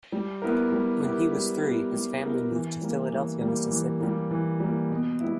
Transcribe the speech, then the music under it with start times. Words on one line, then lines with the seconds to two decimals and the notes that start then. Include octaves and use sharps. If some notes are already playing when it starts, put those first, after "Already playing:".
When he was three, his family moved to Philadelphia, Mississippi.
0.12 G3
0.42 B3 E4 G4 A#4
0.72 G3
1.02 B3 E4 G4 A#4
1.32 G3
1.62 B3 E4 G4 A#4
1.91 G3
2.22 B3 E4 G4 A#4
2.52 E3
2.81 G3 A#3
3.12 E3
3.41 G3 A#3
3.71 E3
4.00 G3 A#3
4.31 E3
4.60 G3 A#3
4.91 B2
5.20 G3 B3 E4